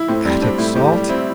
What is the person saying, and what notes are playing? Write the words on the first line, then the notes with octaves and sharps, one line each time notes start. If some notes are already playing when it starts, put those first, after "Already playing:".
"Attic salt?"
Already playing: E4
A2 C4
G3 C4
C4 D4
A2 E4
A2 G4
G3
C4 E4